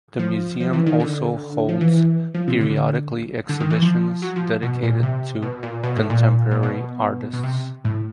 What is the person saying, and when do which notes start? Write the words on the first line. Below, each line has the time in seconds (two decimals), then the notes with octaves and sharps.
The museum also holds periodically exhibitions dedicated to contemporary artists.
0.19 F3
0.60 F3
0.73 E3
0.86 D#3
1.00 D3
1.69 F3
1.81 E3
2.34 F3
2.48 C3
2.61 D3
3.49 D3
3.60 D#3
3.70 E3
3.82 F3
4.22 F#3
4.36 F3
4.62 B2
4.83 A#2
5.03 C3
5.42 B2
5.63 A#2
5.83 B2
5.96 A2
6.10 A#2
6.51 A#2
6.63 B2
7.33 B2
7.43 C3
7.85 A2